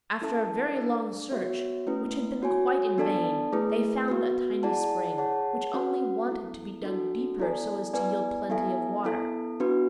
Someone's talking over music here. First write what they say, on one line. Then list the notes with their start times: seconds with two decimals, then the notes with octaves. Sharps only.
After a very long search, which had been quite in vain, they found a tiny spring, which only wanted to be dug deeper so as to yield plenty of water.
0.22 C#4 E4 A4 E5 A5
0.76 D4 A4 D5
1.31 B3 F#4 C#5 E5
1.87 A3 C#4 E4 B4
2.43 F#4 C#5 G#5
2.98 B3 D4 A4 D5 A5
3.53 A3 E4 G#4 B4
4.08 B3 F#4 B4
4.63 E4 G#4 D5 F#5 A5
5.18 G#4 C#5 F#5 A5
5.74 C#4 F#4 B4 F#5
6.29 B3 E4 A4
6.84 D4 F#4 A4
7.38 B3 E4 A4 D5 G#5
7.94 B3 E4 B4 D5 G#5
8.50 B3 E4 A4 E5 G#5
9.04 B3 E4 A4
9.60 B3 D4 F#4 B4